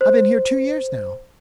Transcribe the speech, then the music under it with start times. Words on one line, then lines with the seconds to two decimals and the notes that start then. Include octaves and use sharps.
I've been here two years now.
0.01 C5